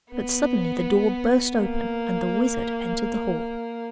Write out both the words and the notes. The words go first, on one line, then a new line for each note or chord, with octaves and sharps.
But suddenly the door burst open, and the wizard entered the hall.
B3
A#3